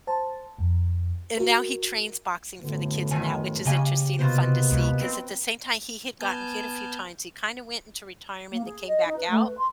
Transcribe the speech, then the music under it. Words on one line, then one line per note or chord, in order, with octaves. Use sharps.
And now he trains boxing for the kids and that, which is interesting and fun to see 'cause at the same time he had gotten hit a few times, he kinda went into retirement and came back out,
C5 A5
F2
F#4 A#4
F#2 A2 D3 B3
F2 D#3 G#5
C#3 A#3 G4 D#5 G#5
C3 A#3 B3 D#4 F4 F#4 C5
C#2
C4 B4
B3 G#5 A5 F6 G6
A#3
G#4
D#5
D#4
B4
A3
B4
C6